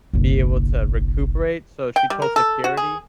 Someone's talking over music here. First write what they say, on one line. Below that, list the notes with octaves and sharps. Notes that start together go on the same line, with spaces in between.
be able to recuperate, so she told security,
F#1 B1
G5
G3
A#4
A4
F#4
G#4